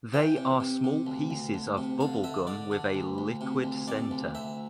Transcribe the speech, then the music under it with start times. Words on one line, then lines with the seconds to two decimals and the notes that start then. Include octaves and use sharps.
They are small pieces of bubble gum with a liquid center.
0.13 E3 G5
0.37 C3
0.60 C3
0.84 C3
1.07 D2
1.31 D2
1.54 D2
1.78 C3
2.00 D3 F5
2.24 D3 E5
2.47 D3 D5
2.71 D3
2.94 D2
3.18 D2
3.41 C3
3.64 D2
3.88 C3 D5
4.11 D2
4.35 D2 E5